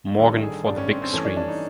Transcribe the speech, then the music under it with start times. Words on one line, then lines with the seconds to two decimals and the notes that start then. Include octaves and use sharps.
Morgan for the big screen.
0.18 A1 G2 D#3 G3 A4
0.43 G#4
0.66 A1 G2 D#3 G3 D4
0.77 C#4
0.90 C4
1.02 C4
1.13 G2 E3 A3 C#4
1.25 D4
1.37 D4
1.48 D#4